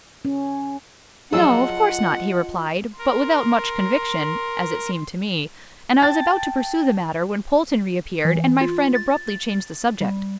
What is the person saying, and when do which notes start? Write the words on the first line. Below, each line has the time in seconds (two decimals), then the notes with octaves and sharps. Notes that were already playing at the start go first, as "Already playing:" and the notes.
"No, of course not," he replied, but without much conviction, as it seemed to me; and I was about to pursue the matter when Polton reappeared, and my friend abruptly changed the subject.
0.25 C#4
1.32 F3 F#3 F4 G#4 D#5 F#5 A5 E6
2.98 A#4 C6
6.02 G5 A5 A6
8.25 E3
8.61 F4
8.95 A6
10.01 G3